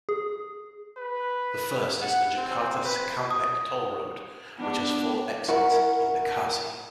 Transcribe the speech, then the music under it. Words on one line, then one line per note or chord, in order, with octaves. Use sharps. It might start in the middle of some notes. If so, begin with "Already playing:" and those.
The first is the Jakarta-Cikampek Toll Road, which has four exits in Bekasi.
G#4
B4
F#5
C4
B4
D#6
B3 D4
E4 A#4 F#5 C#6